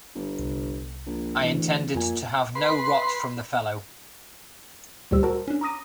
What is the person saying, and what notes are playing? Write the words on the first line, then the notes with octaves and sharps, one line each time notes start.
I intended to have no rot from the fellow.
G1
C2
A#1
D2 E3
F2 A#2 G#5
B4 C6
D2 A#2 G3 G4 C5 E6
F#4 A#4 C5 A5
C#4 D4
A#5 B5 D6 D#6 A#6 D#7